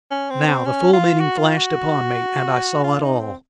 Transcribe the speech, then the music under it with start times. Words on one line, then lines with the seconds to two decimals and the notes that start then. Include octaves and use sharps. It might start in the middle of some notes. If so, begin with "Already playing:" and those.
Now the full meaning flashed upon me, and I saw it all.
0.11 C#4
0.30 C4
0.48 C4
0.66 C#4
0.93 F4
1.20 F#4
1.39 F4
1.57 F#4
2.84 F4
3.02 D#4
3.20 C4